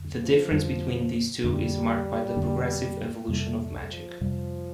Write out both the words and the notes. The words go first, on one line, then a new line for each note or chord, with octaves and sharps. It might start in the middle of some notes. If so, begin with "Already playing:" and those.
The difference between these two is marked by the progressive evolution of Magic.
Already playing: F2 D3
F3
F2 D3 G3 D4
F2 D3 G3 A3 D4
F2 D3 A3 D4
F2 C3 G3 A3
A3
F3
F2 C3 F3 G3